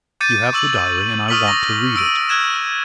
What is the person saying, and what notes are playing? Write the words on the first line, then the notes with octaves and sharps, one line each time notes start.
You have the diary and I want to read it.
D6 G6 A6 C#7 D#7
C#6 D6 E6 F#7
C#6 D#6 F6 B6 D#7 F#7
C#6 A#6
E6 D7 D#7
E6 F#6 G#6 E7